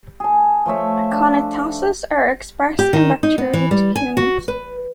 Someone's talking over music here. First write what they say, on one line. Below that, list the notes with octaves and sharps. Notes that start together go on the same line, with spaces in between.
Aconitases are expressed in bacteria to humans.
G#4 A5
F3 A3 C#5 E5
D4
G4
D#3
D#4
B3
E3
G3
G#5
F#4
B4